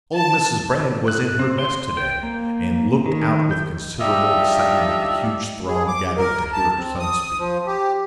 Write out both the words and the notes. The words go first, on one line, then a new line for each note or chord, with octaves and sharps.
Old Mrs. Brand was in her best to-day, and looked out with considerable excitement at the huge throng gathered to hear her son speak.
A5
F#6
C4
C6
G5
A#3
D#3
G6
G3 D4 D#4 F4 E5
G#4
D6
A#4
A5
C4
D#6
F3
G4